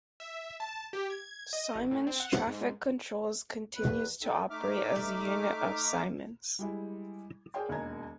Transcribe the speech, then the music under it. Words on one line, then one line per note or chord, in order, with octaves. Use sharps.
Siemens Traffic Controls continues to operate as a unit of Siemens.
E5
A5
G4
G#6
D#5
A1
A2
C4
F#5
G#2
E2 B4
C4 D#4 A4
A3 D#4 E5 D6 F6
G3 G#3 E4
G#4 A#4 C#5 D5 G5 C6
E1 D#2 D#5 G#5 A#5 G#6